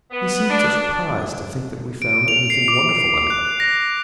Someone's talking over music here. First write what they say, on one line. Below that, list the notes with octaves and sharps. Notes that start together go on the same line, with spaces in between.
He seemed surprised to think that we found anything wonderful in it.
B3
D4
D7
F7
C7
D6
F#6
A#6